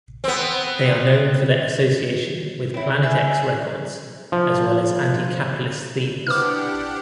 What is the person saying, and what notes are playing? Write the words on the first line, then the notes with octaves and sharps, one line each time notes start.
They are known for their association with Plan-It-X Records, as well as anti-capitalist themes.
B3 C4
C4 E4 C#5
E5 G#5
D5
F3
D4 E4 G4 B4 C5 F#5 D6 F6